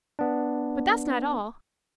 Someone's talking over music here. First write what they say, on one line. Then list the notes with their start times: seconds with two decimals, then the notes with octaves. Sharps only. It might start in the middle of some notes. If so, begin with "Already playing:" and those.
But that's not all.
0.19 B3 D4